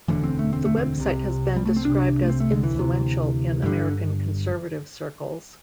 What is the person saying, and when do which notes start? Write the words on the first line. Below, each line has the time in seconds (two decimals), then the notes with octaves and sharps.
The website has been described as influential in American conservative circles.
0.08 E1 D2 D3 E3
0.24 C4
0.39 A3
0.53 C4
0.65 A3
0.77 C4
0.98 C2 C3
1.56 G3
1.65 A3
1.76 C4
1.85 C2 C3 D4
2.22 A3
2.29 C4
2.40 A3
2.51 D3
2.63 E3
2.74 D2
2.79 C3
3.62 G1 G2 D3 G3